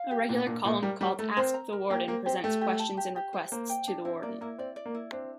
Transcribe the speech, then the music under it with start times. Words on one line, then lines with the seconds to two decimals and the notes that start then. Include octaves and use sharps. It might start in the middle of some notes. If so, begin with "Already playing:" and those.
A regular column called "Ask the Warden" presents questions and requests to the warden.
Already playing: F5
0.11 G4
0.29 A#2 D4
0.47 A#2 D4
0.64 A#2 C5
0.83 G3 A#4
1.01 G3 A#4
1.19 A3 A#4
1.37 C4 A#4
1.54 A#5
1.73 A#4
1.90 A#3 G4
2.08 A#3 C5
2.26 C4 G4
2.43 A3 G4
2.61 G4
2.80 A5
2.97 G4
3.16 G4
3.33 C5
3.52 A#3 C5
3.70 G5
3.88 D4
4.05 C4 E4
4.23 A#3 D5
4.41 A#3 E4
4.58 C4 D5
4.76 D5
4.86 A#3
4.95 E4
5.12 C4 D4